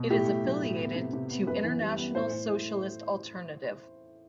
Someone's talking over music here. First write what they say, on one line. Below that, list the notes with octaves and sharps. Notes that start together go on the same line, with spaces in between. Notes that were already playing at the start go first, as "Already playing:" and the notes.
It is affiliated to International Socialist Alternative.
Already playing: B2
A2 G4
A2
F#3
A2
B3
C3
C3
B3
F#2 B4
E3
G3
B3
A2 C5
A2
A2